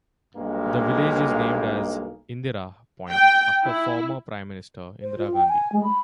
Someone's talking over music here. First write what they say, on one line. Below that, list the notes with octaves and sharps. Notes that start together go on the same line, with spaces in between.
The village is named as Indira Point after former Prime Minister Indira Gandhi.
B1 G2 G#3 A#3
G5
E4
C5
F4
G5
G#5
G#3
B5